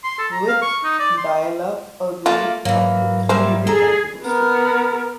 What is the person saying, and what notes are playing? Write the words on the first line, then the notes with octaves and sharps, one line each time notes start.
With dial-up, a room up to three people can be hosted.
C6
A4
A#5
F5
C#6
D#4
D5
C6
A3 A#3 F4 D5
G#2 E3 F#3 A#3
G3 A#3 C5 E5 F5
G#4 A4 A#5
B3 A#4